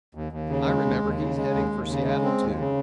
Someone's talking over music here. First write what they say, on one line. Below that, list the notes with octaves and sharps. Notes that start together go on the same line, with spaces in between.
I remember; he's headed for Seattle, too.
D#2
D#2
C#3
G#3
D#2
D#2
C#3
G#3
D#2
D#2
C#3
G#3
C4
D#2
C#3